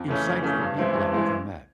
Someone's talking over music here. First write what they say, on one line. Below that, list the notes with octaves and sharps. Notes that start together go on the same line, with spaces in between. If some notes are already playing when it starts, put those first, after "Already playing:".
insightful people I've ever met
Already playing: F2
C#3 E3 A3 C#4
F2
C#3 E3 A3 C#4
G2
E3 G#3 C4 E4
G2
E3 G#3 C4 E4